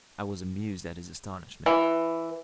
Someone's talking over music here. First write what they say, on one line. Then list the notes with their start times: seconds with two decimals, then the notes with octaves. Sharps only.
I was amused at his astonishment.
1.66 E3